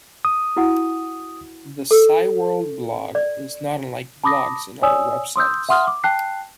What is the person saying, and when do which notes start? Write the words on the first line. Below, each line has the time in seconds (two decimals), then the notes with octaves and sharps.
The Cyworld blog is not unlike blogs in other websites.
0.25 D#6
0.57 E4 F#4 F#5
1.91 A4
3.15 D5
4.24 A5 B5 D6 D#6 A#6
4.82 C#5 D5 G#5 D#6 E6
5.36 C6 D#6 E6 G6
5.69 E5 F#5 C6 D#6 F6
5.87 D6
6.04 G5 A5 F#6 C7